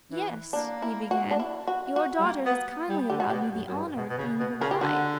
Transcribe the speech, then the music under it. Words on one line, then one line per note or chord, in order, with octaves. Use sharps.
"Yes," he began; "your daughter has kindly allowed me the honor of being her guide."
E3
A#3 D4
E4
F#4
D4
E4
F#4
F#4
G3
A#3
B3
G3
D3 G4
F#4
B2 G4
F#2
F#2
G2
B2
B2
C#3
B2
C#3 A#4
G4
D3 F#4